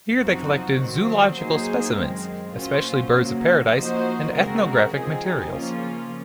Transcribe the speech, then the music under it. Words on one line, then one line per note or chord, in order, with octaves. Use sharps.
Here they collected zoological specimens, especially birds-of-paradise and ethnographic materials.
F#2 F3 C4 D#4 F#4
D#3 F#3 C4
F#3 A#3 D#4 G#4 C5
F#2 D#3 G#3 C4
A#2 F#3 C#4 F4 C5
C#3 F#3 A#3
F3 A#3 D#4 F#4 C5
C#3 G#3 C4 F#4 A#4
F3 C4 D#4 G#4
C#3 F3 A#3 C#4 F4